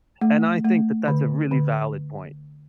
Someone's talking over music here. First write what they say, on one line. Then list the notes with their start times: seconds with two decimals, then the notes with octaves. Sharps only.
And I think that that's a really valid point.
0.21 A3
0.65 A3
1.08 D3
1.51 D3